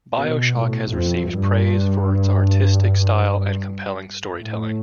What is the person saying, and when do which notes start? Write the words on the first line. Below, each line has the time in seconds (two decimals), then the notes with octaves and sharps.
"BioShock" has received praise for its artistic style and compelling storytelling.
0.15 B2
0.55 A2
0.93 F2
1.31 G2
4.40 A2